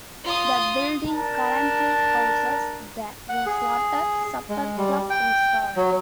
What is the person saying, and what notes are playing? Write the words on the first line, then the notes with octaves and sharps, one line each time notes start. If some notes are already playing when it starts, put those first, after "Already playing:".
The building currently houses the Rosewater Supper Club Restaurant.
F4 D#6
D4 A#4 A5
F#5
G#4
G#3
G3
G5
F#3